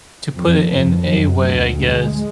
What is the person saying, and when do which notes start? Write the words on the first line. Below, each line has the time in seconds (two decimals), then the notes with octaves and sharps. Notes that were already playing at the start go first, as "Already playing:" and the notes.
To put it in a way, I guess,
0.36 F2
0.73 F2
1.07 F#2
1.40 D2
1.85 G#3